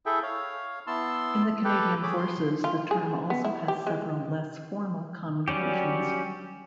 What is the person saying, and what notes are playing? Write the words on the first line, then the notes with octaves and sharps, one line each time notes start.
In the Canadian Forces the term also has several less formal connotations.
E4 G#4 A4 E5 G5
C#5 F5
B3 E4 A5 C6 E6
G4 A4 B4 G5
G#4 C#5 B5 D6
C6
F4
G#4
B3
E4
G4
G#3
F#3 G3 C#4 G4